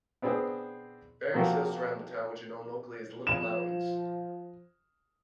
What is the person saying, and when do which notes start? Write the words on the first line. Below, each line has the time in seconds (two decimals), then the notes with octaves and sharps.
Various hills surround the town, which are known locally as little mountains.
0.22 B3 C4 D4 G#4 C5
1.34 C3 F3 A#3 C4 F#4
3.27 F3 E7